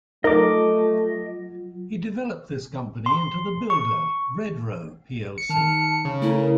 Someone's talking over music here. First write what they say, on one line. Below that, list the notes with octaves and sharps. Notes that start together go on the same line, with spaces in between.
He developed this company into the builder Redrow plc.
F#3 A3 D#4 F4 A#4 D#5 D6
C6
C#6
C#7
D#3 A5 F6
C#3
A3 E4 A#4